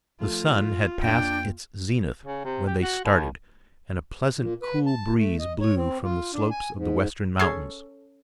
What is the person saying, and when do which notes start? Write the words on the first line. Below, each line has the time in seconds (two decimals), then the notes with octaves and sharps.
The sun had passed its zenith when they started and a pleasant, cool breeze blew from the slopes of the western mountains.
0.20 F3 A3 F4 A4
1.02 F2 A#3 D4 G5
2.25 C#3
2.45 C3
2.67 G4
2.82 F#4
3.05 D#2
4.38 A#2
4.63 B4
4.86 A5
5.18 A3
5.39 D#5
5.61 C#5
5.76 C4
6.04 F4
6.34 D4
6.51 G#5
6.76 G#2
7.40 C#4 G#4 A4 G#6 C7